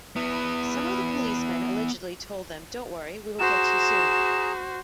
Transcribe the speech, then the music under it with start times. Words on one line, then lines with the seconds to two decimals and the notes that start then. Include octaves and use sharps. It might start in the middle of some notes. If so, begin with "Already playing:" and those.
Some of the policemen allegedly told them, don't worry, we will get you soon!
0.16 B3 E4
3.39 F#4 G#4 C5 A#5 E7